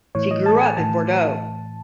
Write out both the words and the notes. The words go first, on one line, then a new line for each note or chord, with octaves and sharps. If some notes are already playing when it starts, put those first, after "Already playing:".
She grew up in Bordeaux.
A2 E3 C#5
D#5
A5
G#5
A2 E3 A5